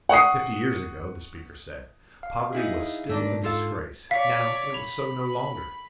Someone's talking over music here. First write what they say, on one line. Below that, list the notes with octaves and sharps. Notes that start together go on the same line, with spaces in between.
Fifty years ago, the speaker said, poverty was still a disgrace, now it was so no longer.
F#5 C#6 D#6 C7
F5
D#4 E4 G#4
G#2 A3 A#3 D4
F4 A4 F5
C#5 D5 F5 B6
B5 F7